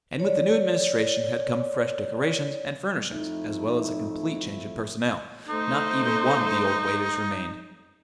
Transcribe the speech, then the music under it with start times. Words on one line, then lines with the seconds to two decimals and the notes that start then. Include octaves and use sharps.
And with the new administration had come fresh decorations and furnishings as well as a complete change of personnel: not even one of the old waiters remained.
0.20 C#5 D5
3.10 F2 A3 D#4 E4
5.48 A3 D#4 C5